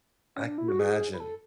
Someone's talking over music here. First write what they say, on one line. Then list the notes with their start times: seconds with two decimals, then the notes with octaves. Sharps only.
I can imagine.
0.36 C#4
0.46 D4
0.58 E4
0.68 F#4
0.79 G#4
1.14 B4
1.20 A4